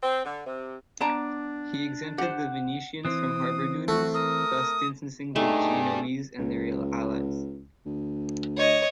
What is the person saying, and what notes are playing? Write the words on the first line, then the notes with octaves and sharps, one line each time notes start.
He exempted the Venetians from harbour duties, thus distancing the Genoese and their allies.
C4
D3
C3
B3 D4 D5 A5 A#5 D6
G4 C5 F#5
E3 C4 D#6
A3 F#4
A#4 D#6
A3 D4 D#4 G4 G#4
C#2
D2
C#5 D#5